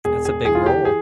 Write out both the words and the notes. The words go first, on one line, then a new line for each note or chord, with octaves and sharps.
That's a big role.
E1 G#4
G#4
E3 G#4
F4
G4
G#4